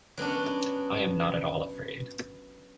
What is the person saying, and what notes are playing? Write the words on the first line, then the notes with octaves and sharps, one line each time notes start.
I am not at all afraid.
F#3 B3 C#4 D4